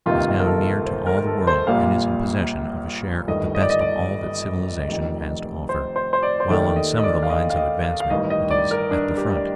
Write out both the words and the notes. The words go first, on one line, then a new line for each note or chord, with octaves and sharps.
It is now near to all the world and is in possession of a share of the best of all that civilization has to offer, while on some of the lines of advancement it is at the front.
G1 F2 C3 D#3 A#3 F4
A#4
A4
C5
A#4
A#4
A4
C5
A#1 A#2 G3 A#3 F5
G1 G2 D#3 A3 D#5
D#5
D5
D#5
D5
F1 F2 D#3
C5
C5
C5
D5
C5
D#2 D#3 A3 D5
D#5
D#5
D5
F5
D#5
F5
D#5
F5
F5
A1 G2 D#3 D#5
D#5
D5
A#4
D4
G4
D5